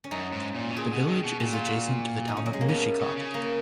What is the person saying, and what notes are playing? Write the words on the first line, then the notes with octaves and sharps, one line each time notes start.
The village is adjacent to the Town of Mishicot.
C#4
F#2 D#4
G#2
A#2
B2
A#2 G#4
B2
D#3
B2
A#2 F#4
F4
F#4
D#4
C#4
F#3
G#3
A#3
B2 B3
C#3
C#3
A#3